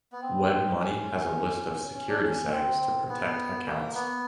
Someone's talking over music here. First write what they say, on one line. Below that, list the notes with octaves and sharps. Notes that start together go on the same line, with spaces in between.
WebMoney has a list of security settings to protect accounts.
B3
C4
C#4
C#4
D4
C#4
C4
B3
A#3
B3